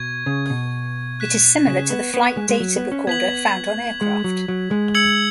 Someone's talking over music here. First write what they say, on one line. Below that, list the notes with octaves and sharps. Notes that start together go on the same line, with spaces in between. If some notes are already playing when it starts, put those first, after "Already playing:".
It is similar to the flight data recorder found on aircraft.
Already playing: B2 C#6 G#6
C#3
B2
F#6 B6 E7
C#3
B3
B3
G#3
G#3
F#3
B3
C#4
B3 G#6 B6 F#7
G#3
F#3
F#3
G#3
E6 G#6 C#7 F#7